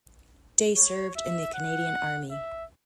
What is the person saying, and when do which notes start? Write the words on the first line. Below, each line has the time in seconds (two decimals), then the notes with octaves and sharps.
Day served in the Canadian Army.
0.77 C#5
1.16 E5
1.54 F#5
2.31 E5